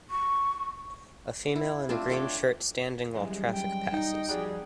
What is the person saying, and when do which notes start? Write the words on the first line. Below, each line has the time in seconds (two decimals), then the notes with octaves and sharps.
A female in a green shirt standing while traffic passes.
0.11 C#6
1.56 E4
1.89 A3 C4 D4 F4
2.10 D4 A4 C#5 G5
3.15 F#2 E3 G3 G#3
3.52 G5
3.93 D#4
4.29 F2 G3 F#4 G#4 D5